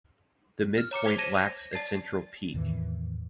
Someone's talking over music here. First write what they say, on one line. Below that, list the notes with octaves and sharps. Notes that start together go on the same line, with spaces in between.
The midpoint lacks a central peak.
F6
C#5 A#5 D6 C#7
C5 G#6 B6 F7 G7
A5 G#6 A#6 D#7 E7
A#6
D5 A5 A6 C7
E2 A2 D#3 E3